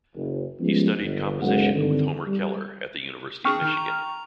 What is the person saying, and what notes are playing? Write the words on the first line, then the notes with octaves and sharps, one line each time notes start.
He studied composition with Homer Keller at the University of Michigan.
F#1
F3 G3 G#3 B3 C#4
G1
F#1 B1 F#2 G#3 F#4 F#5
G2 D3 D#3 C4
G3
C4 D4 G#4 G5 C#6 F6
D#3 D#4
A#5